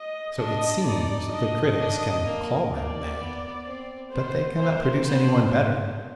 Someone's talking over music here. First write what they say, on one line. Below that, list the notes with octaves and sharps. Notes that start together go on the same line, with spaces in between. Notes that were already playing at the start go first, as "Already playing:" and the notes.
So it seems the critics can call them mad, but they cannot produce any one better.
Already playing: D#5
D4 D#5
D#4 D5
D4 D#5
D4
A#3
A#3 D5
B3
C4
B3 C5
A#3 C5
B3 C5